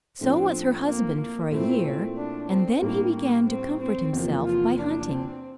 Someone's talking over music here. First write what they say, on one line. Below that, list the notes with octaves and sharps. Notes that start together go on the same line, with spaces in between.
So was her husband for a year, and then he began to comfort himself by hunting.
A2 F3 A3 C4 D4
A#3
A#3
A#2 A3 C4 E4
D4
C4
A2 G3 A#3 D4 G4
A#3
C4
C4
E2 C3 F3 A#3
F4
D4
C4